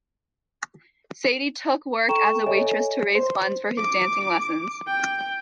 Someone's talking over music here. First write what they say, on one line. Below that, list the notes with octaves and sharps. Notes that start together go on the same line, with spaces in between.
Sadie took work as a waitress to raise funds for his dancing lessons.
A4 G5 A#5 C#6 E7
A4 C#5 D#5 E5 G#5
C5
D6
G5